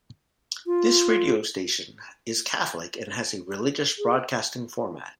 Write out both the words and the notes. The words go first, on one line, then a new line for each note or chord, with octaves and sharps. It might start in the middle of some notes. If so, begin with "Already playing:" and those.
This radio station is Catholic and has a religious broadcasting format.
F4
G#4